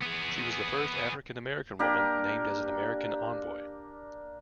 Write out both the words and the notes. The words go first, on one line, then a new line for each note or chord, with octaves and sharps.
She was the first African American woman named as an American envoy.
B3 G#4
A#3 D4 G4 A#4